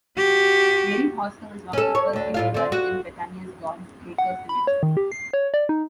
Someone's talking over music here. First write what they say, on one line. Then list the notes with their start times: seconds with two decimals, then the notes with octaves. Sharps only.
Mary Hauser was one of the first people buried in Bethania's God's Acre cemetery.
0.18 F#4 G4
1.73 C#4 A4
1.95 C#5
2.13 D2 D3
2.34 A2 F4 F5
2.54 D3 C4
2.72 F#4
4.18 F#5
4.49 B5
4.67 C#5
4.83 D#3
4.97 G4
5.12 C7
5.33 C#5
5.54 D5
5.69 D#4